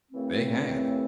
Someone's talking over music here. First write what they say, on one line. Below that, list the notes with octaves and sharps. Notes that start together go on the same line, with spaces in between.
They had.
F#2 C#3 E3 A3 C4